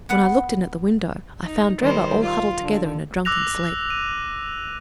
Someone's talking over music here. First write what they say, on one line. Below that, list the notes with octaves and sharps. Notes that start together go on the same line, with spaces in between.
When I looked in at the window, I found Drebber all huddled together in a drunken sleep.
B3 B4 F#5
D#4
D#3 G3 C5
F4
D3
D6 E6 F#6 A#6 F7
D#7